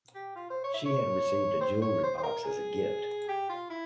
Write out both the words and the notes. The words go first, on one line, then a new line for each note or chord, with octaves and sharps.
She had received a jewelry box as a gift.
G4
F4
C5
C#5
E5
C#5
C5
C#5
C5
C5
A#4
G#4
G4
F4
E4